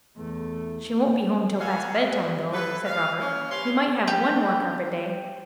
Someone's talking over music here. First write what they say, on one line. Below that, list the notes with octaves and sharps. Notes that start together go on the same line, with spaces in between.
'She won't be home till past bedtime, though,' said Robert. 'We might have one more carpet-day.'
E2 A3
F#4 A4 A#4 F5 F#5 G#5
G2
C3 E4 A4 B4
F5
A#3 C#4
C3 C#4 B4 C#5 F5 C6
G4